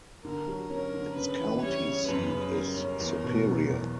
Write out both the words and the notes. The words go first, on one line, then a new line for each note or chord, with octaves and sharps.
Its county seat is Superior.
D3 A#4
F#3
C#4 A#4
D3
C#3 B4
E3
G3 C#5
C#3
F#2 B4
C#3
G3 A#4
C#4
E2
B2
F#3
E2